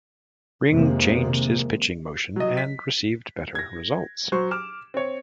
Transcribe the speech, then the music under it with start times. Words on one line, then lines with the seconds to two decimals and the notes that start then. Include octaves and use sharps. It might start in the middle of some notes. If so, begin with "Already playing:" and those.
Ring changed his pitching motion and received better results.
0.70 F2 C3 D#3 G#3 A#3
2.36 F#3 D#5
2.57 B6
3.55 G#6 A#6
4.32 F#3 C5 C#6
4.51 D6 F6 E7
4.94 C4 C#5